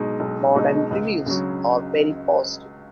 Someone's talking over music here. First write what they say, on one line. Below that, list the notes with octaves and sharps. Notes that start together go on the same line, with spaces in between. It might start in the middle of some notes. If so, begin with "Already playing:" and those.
Modern reviews are very positive.
Already playing: B1 B2 G#3 D#4
B1
B2 G#3 D#4
C#2
C#3 F#3